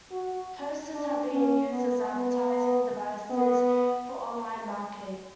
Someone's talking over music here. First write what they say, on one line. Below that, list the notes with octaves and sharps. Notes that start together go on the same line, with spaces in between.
Toasters have been used as advertising devices for online marketing.
F#4
D4
C#4
B3
B3
B3